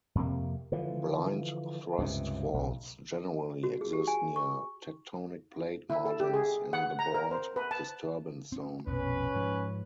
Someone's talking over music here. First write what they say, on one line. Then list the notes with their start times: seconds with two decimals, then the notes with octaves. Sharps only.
Blind thrust faults generally exist near tectonic plate margins, in the broad disturbance zone.
0.15 F2 C3 A#3
0.72 D3 E3 F3
1.98 C#2 G2 C3
2.54 B1
3.64 F#4
3.81 G#4
3.93 G4
4.07 G#5
4.36 C#6
5.90 E4
6.05 A4
6.20 G4
6.34 G#4
6.73 F#5
6.99 A#5
7.14 A#4
7.31 C5
7.56 B4
7.71 A5
8.52 C4 C#4
8.87 A#1 F2 B2 C#4 B4
9.36 G#2 F3